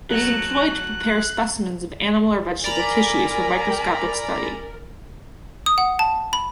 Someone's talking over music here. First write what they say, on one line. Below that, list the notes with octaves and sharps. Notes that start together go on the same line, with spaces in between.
It is employed to prepare specimens of animal or vegetable tissues for microscopic study.
F#3 A3 F#6
A#4 D5 G#5 A#5 B5
D#6
F#5
A5
B5